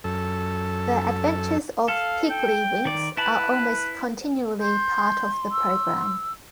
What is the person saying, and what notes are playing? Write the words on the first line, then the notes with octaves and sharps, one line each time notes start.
The Adventures of Piggley Winks, are almost continually part of the programme.
F#2 A4
A4 F5
G5
D#3 D5
E4 B4 A5 B5
C6 G6
E6